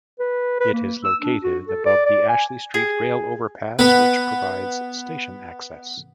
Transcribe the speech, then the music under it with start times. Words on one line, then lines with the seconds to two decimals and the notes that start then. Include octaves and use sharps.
It is located above the Ashley Street rail overpass, which provides station access.
0.20 B4
0.60 B4
0.73 A#3
1.04 E6
1.21 D4
1.43 F#4
1.68 A4
1.86 D5
2.06 D5
2.29 G#5
2.74 G#4
3.79 B3 B4